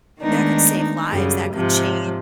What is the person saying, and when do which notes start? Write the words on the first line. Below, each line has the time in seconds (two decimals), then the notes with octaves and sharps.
that could save lives, that could change
0.20 D#3 G#3 A3 B3 D4 D#4
0.79 D#4
1.10 F#2 C#3 G3
1.53 G#2 C3 F3